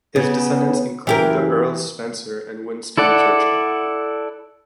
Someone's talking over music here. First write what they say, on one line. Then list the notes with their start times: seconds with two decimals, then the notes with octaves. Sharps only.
His descendants include the Earls Spencer and Winston Churchill.
0.16 C#3 B3
1.07 F#1 E3 G4 A#4
2.98 E4 A4 D5 F#5